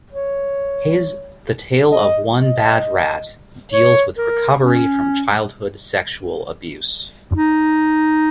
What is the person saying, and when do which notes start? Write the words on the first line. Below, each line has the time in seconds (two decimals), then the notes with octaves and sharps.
His "The Tale of One Bad Rat" deals with recovery from childhood sexual abuse.
0.12 C#5
1.91 D#5
2.37 D#5
3.72 C#5
4.17 A#4
4.61 C#4
7.33 D#4